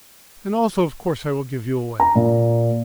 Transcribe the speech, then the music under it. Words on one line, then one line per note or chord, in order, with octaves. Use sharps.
And also of course I will give you away.
A#5
A#2